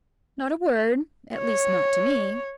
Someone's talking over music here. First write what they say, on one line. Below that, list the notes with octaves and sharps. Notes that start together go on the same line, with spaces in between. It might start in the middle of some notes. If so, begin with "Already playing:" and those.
"Not a word--at least not to me."
C#5